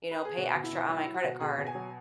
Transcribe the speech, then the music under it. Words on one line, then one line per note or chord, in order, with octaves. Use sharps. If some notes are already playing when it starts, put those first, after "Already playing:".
you know, pay extra on my credit card
B4
G#4
B2 F#4
B2
E4
B2
F#3 E4
F#3
F#4
B2
B2 G#4
B2
G#5
F#3